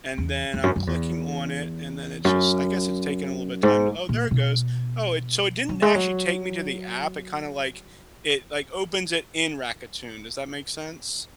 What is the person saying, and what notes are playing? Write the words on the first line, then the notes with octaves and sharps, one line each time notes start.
and then I'm clicking on it, and then it's just I guess it's taking a little bit of time to oh, there it goes. Oh, it so it didn't actually take me to the app, it kinda, like, it, like, opens it in Rakuten, does that make sense?
E2
E2
F#2
F#2
E2
F#2
G#2
A#2
B2
F#3
G#3
F#3